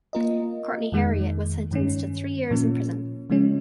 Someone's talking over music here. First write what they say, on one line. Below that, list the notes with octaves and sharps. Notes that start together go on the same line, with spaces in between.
Courtney Harriot was sentenced to three years in prison.
A#3 F4 A#4 D#5
F2 D#3 G#3
G2 D#3 G#3 C#4
A#2 F3 A#3 C#4
C#3 F3 G#3 C#4